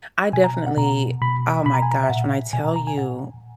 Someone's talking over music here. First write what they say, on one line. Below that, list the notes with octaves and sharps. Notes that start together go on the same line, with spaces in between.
I definitely oh my gosh, when I tell you,
B2 G#5
A#5
F#5
B2 A#5
B2 B5
B2 B5
A#5
G#5
A#5
E5
A#2 F#5
B2 G#5
A#5
A#5
G#5
A#2 F#5